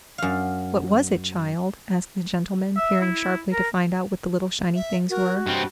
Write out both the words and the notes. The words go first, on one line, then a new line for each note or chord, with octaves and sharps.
"What was it, child?" asked the gentleman, peering sharply to find out what the little shiny things were.
F#2 F5
E5
E4
A#4
E5
F#4 A#4
G2 C4 D#5